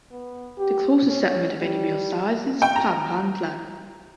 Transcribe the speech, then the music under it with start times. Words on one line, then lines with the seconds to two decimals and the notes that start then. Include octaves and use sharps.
The closest settlement of any real size is Papantla.
0.12 B3
0.58 G4
1.08 C#4
1.59 G3
2.62 G5
2.76 A#5